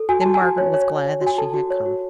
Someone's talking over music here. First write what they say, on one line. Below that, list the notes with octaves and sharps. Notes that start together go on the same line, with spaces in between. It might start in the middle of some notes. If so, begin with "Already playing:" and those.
Then Margaret was glad that she had come.
Already playing: A4
F#4 G#5
F#4 A5
G#5
F#4
C#5
C#5
C#5
C#5
F#4
G#5
A4 A5
F#4
C#5
F#4